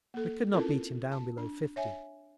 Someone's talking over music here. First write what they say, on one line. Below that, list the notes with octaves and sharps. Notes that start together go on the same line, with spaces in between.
We could not beat him down below fifty....
A#3 A4
C4 C#4 E4 F4 A4 A#4
A5
D4
C#5 E5 G#5